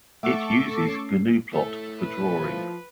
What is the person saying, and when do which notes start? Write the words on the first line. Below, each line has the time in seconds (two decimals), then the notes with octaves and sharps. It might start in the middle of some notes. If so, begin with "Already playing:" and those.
It uses gnuplot for drawing.
0.23 A3 A4 E5 F#5 C#6 D6 E6
0.85 C#4 C7
1.53 A2 A3 A4
2.02 B4
2.39 F3